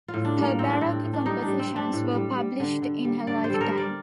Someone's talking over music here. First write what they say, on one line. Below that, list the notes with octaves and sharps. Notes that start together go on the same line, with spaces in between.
Her Baroque compositions were published in her lifetime.
F4
A2
D4
G3
A#3
A2 C4
D4
A2 C4
A2
D4
G3 D#4
D4
G3
C4
G3
D4
A2
G3
G3
D3
D3
G3
D3 D5
C5
G3 A4
A#4
G3
D5